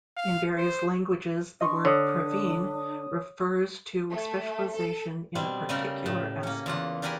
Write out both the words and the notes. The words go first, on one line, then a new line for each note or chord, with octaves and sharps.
In various languages the word "praveen" refers to specialization in a particular aspect.
F5
C5
D4 D#5 C6 C#6
D3 C#5 D#6
A3
A4
B2 G3 C4 D4
C#3 G3 A3 G4 A#4
A2
A#3 C#4
E2 F4 F#5
D4 G4 A#4 F#5 G#5 B5